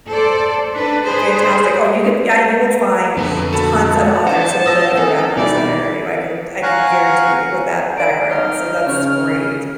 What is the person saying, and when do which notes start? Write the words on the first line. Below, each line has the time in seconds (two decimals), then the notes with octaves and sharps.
fantastic. Oh, you could Yeah, you will find tons of authors who will bend over backwards to hire you, I can I can guarantee you, with that background, so that's great,
0.10 A4 C5 D5
0.73 D4 B4
1.06 G#4 B4 C5
3.17 F2 A#2 D3 B3 B4 A5
3.52 F#4 A4 A5 B5
4.27 D4 C5 F#5 A5
4.66 C5 D#6 E6 A#6
4.97 A#3 C#4 A4
5.37 B2 G3 D#4 E4 D5
6.63 F5 F#5 G#5 A#5 C#6 F#6
7.97 A#4 D5 D7
8.30 D#4 C#5 D#5 F6
8.86 C#3 C#4 C#5